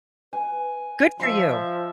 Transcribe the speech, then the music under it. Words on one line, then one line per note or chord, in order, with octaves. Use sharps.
Good for you.
B4 G#5
F3 F4 E5 C6